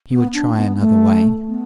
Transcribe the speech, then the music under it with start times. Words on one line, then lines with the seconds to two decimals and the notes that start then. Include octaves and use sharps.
He would try another way.
0.11 B3
0.34 D4
0.57 B3
0.80 A3
1.49 B3